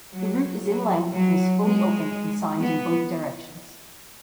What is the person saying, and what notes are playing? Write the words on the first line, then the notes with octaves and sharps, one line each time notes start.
The route is in length and is fully open and signed in both directions.
F#3
F#3
F#3
G#3
B3